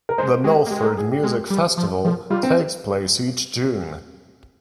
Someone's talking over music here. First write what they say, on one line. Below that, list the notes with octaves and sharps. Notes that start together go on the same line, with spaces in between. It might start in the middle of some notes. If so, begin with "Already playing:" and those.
The Milford Music Festival takes place each June.
A#4
G#3 C5
G#3 G4
A#3
G#3 G4
A#4
G#4
G4
G#3
G3
F3
F3
G3 F4
C4